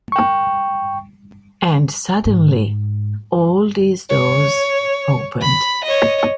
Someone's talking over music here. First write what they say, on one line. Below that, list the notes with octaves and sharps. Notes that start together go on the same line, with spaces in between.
And suddenly, all these doors opened.
G5 C#6
G#2
C#5
B5
C#5 D#5